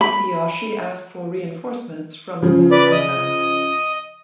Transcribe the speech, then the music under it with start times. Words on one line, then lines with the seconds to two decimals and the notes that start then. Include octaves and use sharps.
Hideyoshi asked for reinforcements from Nobunaga.
0.01 B5
2.42 C#3 F3
2.71 B4 D5
2.92 D#5